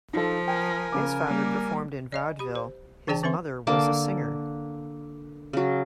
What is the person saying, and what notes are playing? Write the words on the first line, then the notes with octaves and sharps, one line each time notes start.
His father performed in vaudeville; his mother was a singer.
F3 D#4 F4 A4
A#4 G5 G#5
C#3 D6
G3 A#3
D5 D#5 G#5
G4 B5
C5
E3 D4 G#4 D5 G5 A5
E3 C4 B4 E5 C6
D3 A#3 A5 D6
C#3 F#3